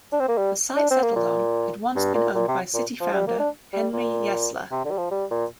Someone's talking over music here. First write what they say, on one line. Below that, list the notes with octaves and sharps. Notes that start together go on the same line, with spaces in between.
The site settled on had once been owned by city founder Henry Yesler.
D4
C4
A#3
G3
D4
C4
A#3
A#2
G2
A#2
A#2
C3
A#2
F3
G3
A#3
D4
G3
A#2
C3
D3
G3
F3
G3
A#2